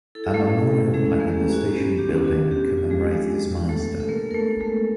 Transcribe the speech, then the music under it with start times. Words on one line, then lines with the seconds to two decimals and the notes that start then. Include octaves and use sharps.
A memorial plaque in the station building commemorates this milestone.
0.15 E4 A4
0.24 G#4
0.34 A3 A4
0.41 C#4
0.68 E4
0.94 G#3 C#4 G#4
1.20 A#3
1.33 G4
1.46 C#4
1.53 F#4
1.72 B3 G4
1.98 D4 G4
2.24 B3 F#4
2.51 B3 G4
2.77 F4
2.90 G#3 G#4
3.04 D4
3.30 G#3
3.56 B3
3.69 A3 A4
3.82 G#3
4.00 A4
4.08 G#3 A#3 A#4
4.31 A#4
4.34 A3 B3 A4
4.60 G#3 A3 A4